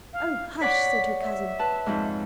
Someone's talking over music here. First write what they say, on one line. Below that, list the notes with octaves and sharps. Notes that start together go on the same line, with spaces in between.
"Oh, hush!" said her cousin.
F5
C#5 D5 F#5 B6
E5
B4 A5
F2 G#2